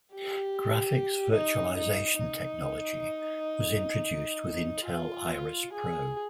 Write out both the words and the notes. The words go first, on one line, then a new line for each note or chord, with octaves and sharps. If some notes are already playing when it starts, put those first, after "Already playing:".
Graphics Virtualization Technology was introduced with Intel Iris Pro.
G4
D#4
D#4
D#4
F4
G#4